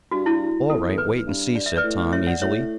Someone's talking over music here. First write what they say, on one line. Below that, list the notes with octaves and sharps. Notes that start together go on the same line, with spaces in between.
"All right, wait and see," said Tom, easily.
G2 F#4
E4
E2 A4
B4
G2
D5
E5
B4 D5
A2
C#5 E5
D5 F#5
A2 C#5 E5